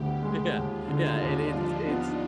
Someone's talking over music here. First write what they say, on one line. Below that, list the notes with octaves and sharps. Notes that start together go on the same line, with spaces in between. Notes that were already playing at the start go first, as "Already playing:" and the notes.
Ye yeah, yeah, and it's it's
Already playing: D2 D3 B3 G4
G#3
D#2 F4
D3 D#4
D#2 D4
F3
B3